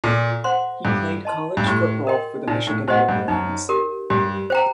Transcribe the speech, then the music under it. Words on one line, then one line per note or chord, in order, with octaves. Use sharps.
He played college football for the Michigan Wolverines.
A#2 A4
C5 F#5 C6
G2 A4
D#5 A5 C6
G2
A2 G4
A#4 D#5 G5 C6
A#2 D#4
A2
A2 G4 C5 D#5 F#5
G2
F#2 D#4
G4 A#4
G2 G4
C5 G5 A#5